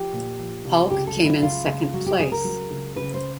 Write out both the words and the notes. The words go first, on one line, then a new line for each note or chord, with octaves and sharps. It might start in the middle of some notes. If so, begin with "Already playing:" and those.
Paulk came in second place.
Already playing: F3 G4
A#2
F3
C2
C#2 G4
A4
F#3
E4
C#2 F4
C#2
F#3 F#4
G4
C#2 G#4
A#4
F#3
C#2
C#3 B4
C5